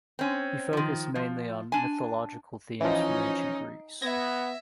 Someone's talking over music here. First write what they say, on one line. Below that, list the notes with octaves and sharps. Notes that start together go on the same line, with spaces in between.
He focused mainly on mythological themes from ancient Greece.
C4 C#4
D#3 F3
F3
D4 G#5
E3 F3 C#4 D#4 D#5
B3 E5 G#6 A#6